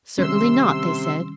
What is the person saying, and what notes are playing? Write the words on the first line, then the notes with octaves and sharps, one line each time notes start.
"Certainly not," they said.
C3 D#3 G3 C#4 C6 E6